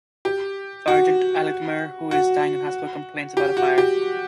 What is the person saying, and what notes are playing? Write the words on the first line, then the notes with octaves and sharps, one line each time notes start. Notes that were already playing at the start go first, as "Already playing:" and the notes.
Sergeant Altameyer, who is dying in a hospital, complains about a fire.
G4
F#4
F#4
G4
F#4
G4